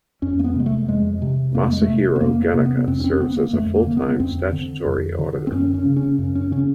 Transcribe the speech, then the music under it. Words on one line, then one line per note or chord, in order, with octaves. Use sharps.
Masahiro Gennaka serves as Full-Time Statutory Auditor.
F2 C#4
A#3
B3
C3 G#3
A3
F2 G#3
C3
F2 A#3
A3
G#3
A3
C3
B3
F2 A#3
A#3
C3
B3
F2 C4
C#4
C4
D3 B3
A#3
F2 A3
A#3
D3
B3
F2 C4
D3
F2
D3
C4
F#2 C#4
C#4
C#3
C#4
F#2
C#4
C#3 C#4